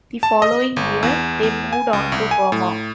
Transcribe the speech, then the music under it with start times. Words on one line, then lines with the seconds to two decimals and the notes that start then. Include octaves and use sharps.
The following year, they moved on to Burma.
0.23 A5
0.42 D#5
0.77 G1
1.03 E2
1.43 E2
1.73 G#5
1.93 C#2
2.12 C2
2.31 G#5
2.52 A2